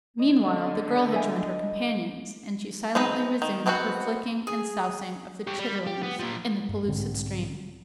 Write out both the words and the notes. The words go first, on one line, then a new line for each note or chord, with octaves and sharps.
Meanwhile the girl had joined her companions, and she silently resumed her flicking and sousing of the chitterlings in the pellucid stream.
D3 D#5
E4 A4 D#5 E5 G5 G#5
G#3 C4 D#4 B4
D#3
G#3 B3 C4 E4 F#4
G#4
G4 C#5
G3
G4
B3
F3 A#3
G2
B1 G#2 D3 C4